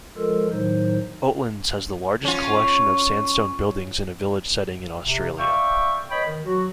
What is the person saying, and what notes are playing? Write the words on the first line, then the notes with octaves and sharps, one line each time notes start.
Oatlands has the largest collection of sandstone buildings in a village setting in Australia.
F3 G#3 F4 A4 A#4
A2 D#3 F#3 D#4 C5
C#4 F4
C3
D5 E5 F5 G5 C#6
B4 C#5 D#5 G5 B5
D#3
F#3 F#4